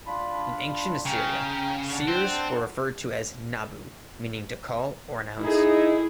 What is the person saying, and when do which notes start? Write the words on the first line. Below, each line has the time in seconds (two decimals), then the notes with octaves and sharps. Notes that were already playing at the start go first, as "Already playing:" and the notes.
In ancient Assyria seers were referred to as "nabu", meaning "to call" or "announce".
0.07 D4 F4 B5
1.05 C#3 G5 A#5
1.92 D4 F#5 A5
2.08 C4
5.40 D#4 E4 G#4